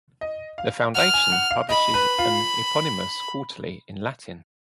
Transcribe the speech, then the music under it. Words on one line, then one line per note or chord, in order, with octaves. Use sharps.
The foundation publishes an eponymous quarterly in Latin.
D#5
F5
F#5 F6
G#5
F#5
F5
D#5 B5
B4
F4